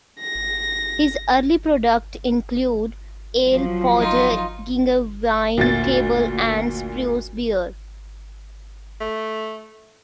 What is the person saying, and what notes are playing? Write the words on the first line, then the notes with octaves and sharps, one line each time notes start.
His early product included ale, porter, ginger wine, table and spruce beers.
A#6
F3 F#3
D#4 F4
D2 A#2 A6
A3